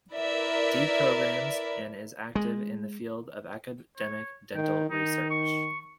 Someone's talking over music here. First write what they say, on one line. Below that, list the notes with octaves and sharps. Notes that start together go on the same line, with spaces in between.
D programs, and is active in the field of academic dental research.
E4 A#4 B4 D5 E5
G#3
C#5
D#3 G5
D#3 D#4
C#6